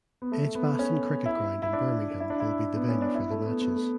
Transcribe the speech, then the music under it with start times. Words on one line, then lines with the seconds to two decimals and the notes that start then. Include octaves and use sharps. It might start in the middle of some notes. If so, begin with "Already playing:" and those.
Edgbaston Cricket Ground in Birmingham will be the venue for the matches.
0.22 B3
0.32 A3
0.55 B3
0.79 C#4
1.26 E4
1.62 E4
1.73 D4
2.20 E4
2.30 D4
2.40 E4
2.76 B3
2.89 C#4
3.02 D4
3.15 E4
3.30 A3
3.46 B3
3.61 B3
3.74 A3